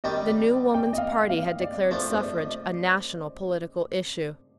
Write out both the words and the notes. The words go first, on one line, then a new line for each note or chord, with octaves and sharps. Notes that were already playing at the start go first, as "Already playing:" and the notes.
The new Woman's Party had declared suffrage a national political issue.
D#3 G3 D4 G4 D#5
D5
G5
D#5
F5
F5
D5
F3 A3 D4 C5
D5
C5
D#5